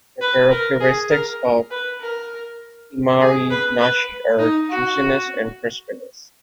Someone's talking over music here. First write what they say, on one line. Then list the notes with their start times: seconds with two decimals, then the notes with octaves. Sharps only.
The characteristics of Imari "nashi" are juiciness and crispness.
0.21 B4
0.51 A#4
0.81 G#4
1.10 A#4
1.71 B4
2.01 A#4
3.20 G#4
3.50 B4
3.81 B4
4.39 D#4
4.70 F#4